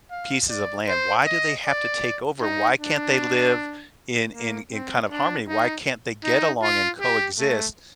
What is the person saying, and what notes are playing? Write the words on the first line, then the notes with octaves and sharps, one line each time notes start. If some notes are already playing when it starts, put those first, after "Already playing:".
pieces of land? Why do they have to take over? Why can't they live in in in kind of harmony? Why can't they get along and coexist?
F5
D5
C5
D#5
D5
D#4
D4
A#3
C4
D4
D#4
D#4
F4
G4
A3